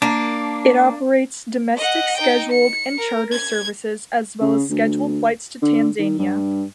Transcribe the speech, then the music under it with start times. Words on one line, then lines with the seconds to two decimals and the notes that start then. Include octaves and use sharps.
It operates domestic scheduled and charter services, as well as scheduled flights to Tanzania.
0.02 A#3 D4
1.77 D#5 F#5
2.17 D#4 G5
2.51 C#7
2.98 A#4
3.31 G#6
4.41 C#3
4.70 D2
5.62 D3
5.98 D#3
6.19 G2